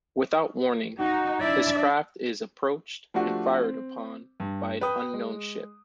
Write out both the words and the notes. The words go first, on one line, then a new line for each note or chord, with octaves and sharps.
Without warning, his craft is approached and fired upon by an unknown ship.
D#4 F#4
D4 E4 D5 E5
F3 A3 D4 F#4 G4
C4
G2
B4 G5 D#6
G#3